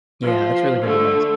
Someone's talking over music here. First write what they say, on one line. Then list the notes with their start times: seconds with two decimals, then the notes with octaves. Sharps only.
Yeah, that's really good advice.
0.22 F3
0.83 D3 A3